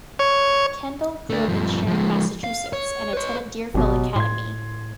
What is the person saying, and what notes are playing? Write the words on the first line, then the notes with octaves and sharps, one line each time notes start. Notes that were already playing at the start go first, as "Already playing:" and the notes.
Kendall grew up in Sharon, Massachusetts and attended Deerfield Academy.
C#5
A3 D4
G2 F3
F3 G#3
F5
C#5
B4 C#5
G#1 B2 F#3 G4
A2 C6 G#6